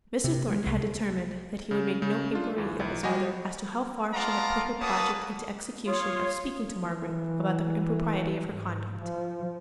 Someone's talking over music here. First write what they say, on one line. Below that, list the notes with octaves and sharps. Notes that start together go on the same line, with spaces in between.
Mr. Thornton had determined that he would make no inquiry of his mother as to how far she had put her project into execution of speaking to Margaret about the impropriety of her conduct.
C3
G#3
C2
C#3
C#3
D4 F4
D2 E3
B1 E3
G3 F#4 G4 D#5 G#5
B3 F4 D5 F5 A5 A#5
A#3 C#4 F#4 B4 A5 D#6
F4 C#5 D#6
E3
G#2
F3